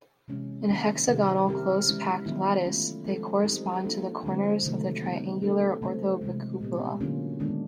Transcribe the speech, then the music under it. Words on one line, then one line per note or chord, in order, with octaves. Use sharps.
In a hexagonal close-packed lattice they correspond to the corners of the triangular orthobicupola.
C3 E3 G#3 C#4
D#3 F#3 A#3 C#4 E4
C3 D#3 G3 C4 E4
G3 C4 E4 G4 A#4
E3 G#3 C#4 E4
D#3 F#3 B3 E4
A3 C#4 F4
F3 G#3 C4 F4 A4
G3 C4 D#4 G#4
F3 A#3 D4 F4 A4
D3 F3 G#3 C4
C3 D#3 F#3 A3
F#3 B3 D#4
A3 D4 F#4 A4
C#3 F#3 A3 C4
C3 E3 G#3
A#2 G3 B3
D3 F#3 A#3 C#4 F4
D#3 G#3 B3 D4